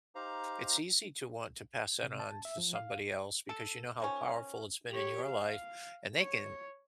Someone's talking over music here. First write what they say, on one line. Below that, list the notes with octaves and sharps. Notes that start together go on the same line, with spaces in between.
it's easy to want to pass that on to somebody else because you know how powerful it's been in your life, and they can
D#4 G4 C5 F5 A#5
C3
A5
E5
F3
F5
A4
D#3 F3 C#4
G4 C#5
F5
C#5